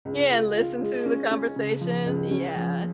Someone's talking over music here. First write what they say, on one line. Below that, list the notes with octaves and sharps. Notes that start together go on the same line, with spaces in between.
Yeah, and listen to the conversation, yeah.
C#2
F4
F4
G#3
C#4
C#4
C#3
F3
C#2
C#4
F3